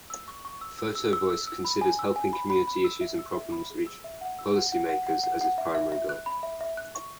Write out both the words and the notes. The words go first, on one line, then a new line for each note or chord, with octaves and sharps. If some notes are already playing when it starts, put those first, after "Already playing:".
Photovoice considers helping community issues and problems reach policy makers as its primary goal.
E6
C#6
C#6
E6
E6
E6
E6
E6
E6
B5
G#5
E6
G#5
B5
B5
B5
E6
E5
E6
E5
B5
G#4
E6
E5
F#5
E6
F#5
F#5
F#5
F#5
F#5
F#5
E5
E5
E5
F#6
B5
E5
E5
F#6
C#6